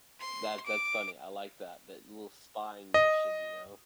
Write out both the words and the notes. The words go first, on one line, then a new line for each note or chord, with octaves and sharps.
that that's funny, I like that that little spying mission, you know.
C6
D6
D#5